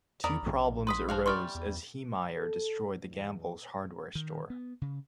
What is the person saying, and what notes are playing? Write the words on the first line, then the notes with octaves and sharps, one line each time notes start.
Two problems arose as Heemeyer destroyed the Gambles hardware store.
E2 A#4 D5 B5 D#6
A#1
B4 B5 C6 D#6 B6
F3 F#4 F5
E3 G3 D5 C6 C#6 F6
E2
A4
E2
D#3
B3
C#3